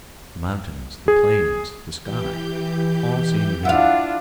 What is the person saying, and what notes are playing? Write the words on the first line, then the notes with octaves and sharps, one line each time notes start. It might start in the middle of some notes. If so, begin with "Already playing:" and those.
The mountains, the plains, the sky, all seemed new.
G#4
E3 G4 G6
D4 E4 F4 F5 F#5